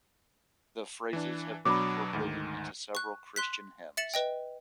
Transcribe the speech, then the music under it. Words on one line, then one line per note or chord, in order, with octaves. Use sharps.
The phrases have been incorporated into several Christian hymns.
E3 D4
B2 F#3 D4 B5 D6
D2 G#2 D#3
C#6 F#6
C6 F#6 B6
E5 A6 C#7 E7 F#7
B4 D#5 G5